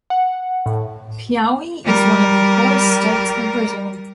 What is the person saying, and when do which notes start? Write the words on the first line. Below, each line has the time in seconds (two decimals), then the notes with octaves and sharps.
Piaui is one of the poorest states of Brazil.
0.10 F#5
0.66 A2
1.85 G3 A#4